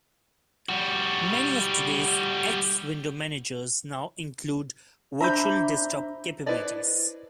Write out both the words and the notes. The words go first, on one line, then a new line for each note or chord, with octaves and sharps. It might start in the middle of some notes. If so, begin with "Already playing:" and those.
Many of today's X window managers now include virtual desktop capabilities.
G3 F#4
D4 C5 E5 A#5 B5 G6
E4 B4 C5 D5 D#5